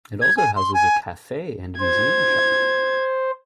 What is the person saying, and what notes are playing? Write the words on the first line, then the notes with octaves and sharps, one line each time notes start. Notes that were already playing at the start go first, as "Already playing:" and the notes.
It also houses a cafe and museum shop.
G#6
G#5
C6
G#5
C5 G#6